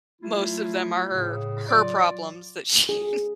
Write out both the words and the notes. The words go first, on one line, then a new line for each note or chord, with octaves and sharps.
most of them are her her problems that she
F#3 A3 E4 F4
A2 C#3
F#3 F4 D5
G#4